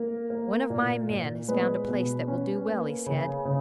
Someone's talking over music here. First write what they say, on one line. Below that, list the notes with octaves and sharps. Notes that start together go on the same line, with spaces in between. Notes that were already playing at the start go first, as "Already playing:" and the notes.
"One of my men has found a place that will do well," he said.
Already playing: A#3 A#4
A#3
A#2
A#2
G#3 B3 B4
B2
C#4
A#3
C#3
C#3